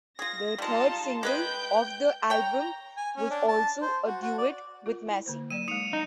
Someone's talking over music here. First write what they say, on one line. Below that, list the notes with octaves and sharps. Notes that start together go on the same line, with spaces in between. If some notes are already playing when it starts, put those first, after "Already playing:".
The third single off the album was also a duet with Massey.
F4 G#4 A#6
G3 G#3 D#4 F4 A5
G#3 B4 D#5 G5 G6
C#5 G5 A#5
G#5
C#4
D4
A5
C5
F#4
F#4
D5
F4 A#4
E4
D3 A#3 C5
F#3 A#3 D5 D#7 E7
G#3 D#4 D#6 C#7 F7
D#4